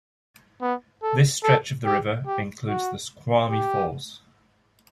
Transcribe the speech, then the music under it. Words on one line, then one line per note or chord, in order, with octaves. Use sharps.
This stretch of the river includes Snoqualmie Falls.
B3
A4
A4
G4
G4
F#4
G4